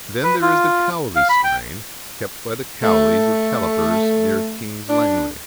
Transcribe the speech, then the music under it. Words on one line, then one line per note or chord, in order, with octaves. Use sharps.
Then there is the Cowley strain, kept by the Cowleys of Callipers, near King's Langley.
B4
F4
F5
B5
G5
A3
D4